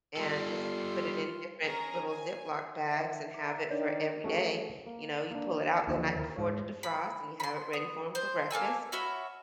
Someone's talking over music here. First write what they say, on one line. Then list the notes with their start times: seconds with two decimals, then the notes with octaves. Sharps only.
and just put it in different little Ziploc bags and have it for every day. You know, you pull it out the night before to defrost, and you have it ready for him for breakfast
0.17 G3 F4 A4 C6
1.64 C#4 G#4 A#4 G#5 A#5
2.09 G#5
2.91 D#3 E5
3.34 A#4 D6
3.70 D#3 D4 C#5 D5
4.24 A3 C#4 F#4 G#4
4.87 A#3
5.31 A#3 D4
5.87 D#2 D3 F3 C#5 D#5
6.17 E4 A#4
6.36 G#2 C#5
6.83 B5
7.40 B5 C6
7.73 B3
8.15 C5
8.51 A#3 A4 G#5 E6
8.92 C#4 F#4 E5 B5